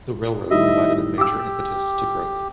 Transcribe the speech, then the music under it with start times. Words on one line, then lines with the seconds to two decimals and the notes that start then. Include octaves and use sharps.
The railroad provided a major impetus to growth.
0.51 A2 D#3 G3 D#5 E5
1.18 G4 D6 E6